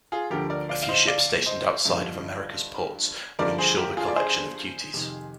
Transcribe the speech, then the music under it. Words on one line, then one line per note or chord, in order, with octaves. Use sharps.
A few ships stationed outside of Americas ports would ensure the collection of duties.
F4 G#4
D2 D3 F3 G4 A#4
A#4 D5
D5 F5
F5
C5 D#5
D5 F5
C5 D#5
G2 D3 F3
G2 D3 F3 A#4 D5
G#4 C5
G4 A#4
F4 G#4
D5
G#4 C5
F2 C3 D#3